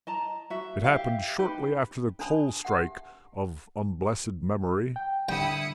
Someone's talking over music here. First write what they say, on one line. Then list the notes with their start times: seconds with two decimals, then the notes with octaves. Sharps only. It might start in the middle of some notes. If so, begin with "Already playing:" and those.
It happened shortly after the coal strike, of unblessed memory.
0.07 D#5 A5 A#5
0.50 F#4 E5
0.84 G4 E5 F5
1.39 D#4 G4 B4 B5
2.19 C#4 D4 G#5 A5 B5 D#6
2.65 G4 E5 F#5
4.96 G5
5.29 D3 G3 E4 G5 D#6 C#7